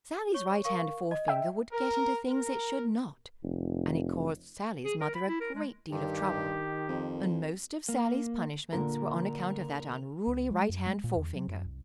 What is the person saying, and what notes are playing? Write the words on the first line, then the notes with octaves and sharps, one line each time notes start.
Sallie's right-hand forefinger would get into things it should not, and it caused Sallie's mother a great deal of trouble, and most of Sallie's punishments were on account of that unruly right-hand-forefinger.
C#5 C#6 G7
A#4 F5 C#6
D#5
E5 G5
A#4
A#4
F1
G#4
A#4
B5
E4
A#4
G#3
G2 D#3 G4
F2
A#3
A#2 D3 A#4
C#2
G#3
F#2
G#3
A#2
E2
F#3
F#2
C2